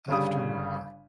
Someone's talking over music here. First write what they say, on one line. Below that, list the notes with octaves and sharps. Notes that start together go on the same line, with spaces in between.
After war.
G1 G2 C#3 G3 D#6